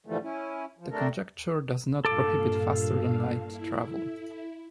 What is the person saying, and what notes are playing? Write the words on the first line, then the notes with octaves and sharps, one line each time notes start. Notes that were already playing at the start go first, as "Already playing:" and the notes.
The conjecture does not prohibit faster-than-light travel.
G#2 D3 E3 F3 G3 A3
C#4 E4
F3
C3 A3 D4 A4 A#4
G2 A#2 A4 F5 D6
E4